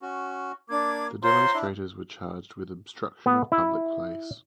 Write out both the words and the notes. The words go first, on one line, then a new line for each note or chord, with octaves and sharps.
The demonstrators were charged with obstruction of public place.
C#4 F#4
A#3 D4 D6 G#6
F4 C5 C#5 A#5 C6
D4 E4
B3
E4